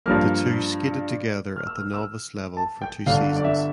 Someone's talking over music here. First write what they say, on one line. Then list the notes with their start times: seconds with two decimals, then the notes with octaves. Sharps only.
The two skated together at the novice level for two seasons.
0.06 G2 F3 A#3 F6
1.56 F6
1.67 E6
1.78 F6
1.94 E6
2.57 A5
2.82 G5
3.06 G1 G2 D3 F5
3.36 D5
3.44 E5